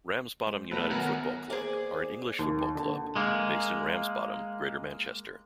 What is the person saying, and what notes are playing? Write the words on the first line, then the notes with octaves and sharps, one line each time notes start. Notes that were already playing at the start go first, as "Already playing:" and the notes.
Ramsbottom United Football Club are an English football club based in Ramsbottom, Greater Manchester.
G#3 C5
B2 F#3 A3 B3 A#5
D#3 B3 A#4 C#5 G#5 F#6
A#3 B3 G#4 C5 D5
D#2
D3
G#3 A#3